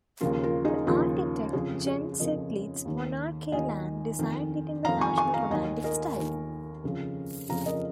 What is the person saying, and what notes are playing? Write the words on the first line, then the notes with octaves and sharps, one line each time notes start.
The architect, Jens Zetlitz Monrad Kielland, designed it in the National Romantic style.
D#2 C#3 F3 F4 A#4
F4 A#4
D#4 G#4
D#2 C#3 F3 F4 A#4
F2 C#3 F3 G#4 C#5
G#4 C#5
F2 C#3 F3 A#4 D#5
D#2 D#3
D#2 D#3 D#5 G#5
F2 D#3
F2 D#3 F5 A#5
G#5 C#6
G#5 C#6
F5 A#5
D#2 D#3 D#5 G#5
A#4 D#5
D#2 D#3
F2 C#3 F3
F2 C#3 F3 F5 A#5
A#4 D#5